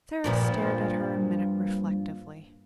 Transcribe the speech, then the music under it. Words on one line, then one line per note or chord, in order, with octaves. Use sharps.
Sara stared at her a minute reflectively.
G2 A#2 F3